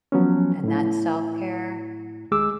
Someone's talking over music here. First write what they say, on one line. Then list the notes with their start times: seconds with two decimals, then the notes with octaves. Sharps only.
and that's self-care,
0.12 F3 F#3 B3 C#4
0.64 A2 E4
2.31 D#2 G#3 G#4 D6 E6